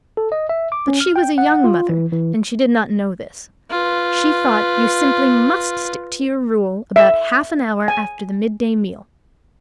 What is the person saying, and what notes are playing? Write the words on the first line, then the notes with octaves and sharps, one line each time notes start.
But she was a young mother and she did not know this; she thought you simply must stick to your rule about half an hour after the mid-day meal.
A4
D#5
E5
D6
C#4
F6
G5
F#5
F4
E3
E3
F4 B4
E5
G#5